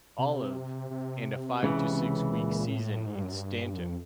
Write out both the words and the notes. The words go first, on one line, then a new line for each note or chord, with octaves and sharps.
Olive and a five to six week season in Staunton.
C3
C3
C#2 C#3 E3
A#2
A2
G#2
G2
F#2
G2
F#2
F2